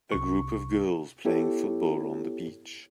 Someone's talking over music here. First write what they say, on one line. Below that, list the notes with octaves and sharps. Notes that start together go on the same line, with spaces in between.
A group of girls playing football on the beach.
C2 C3 C#6
B3 E4 G4 A4 C#5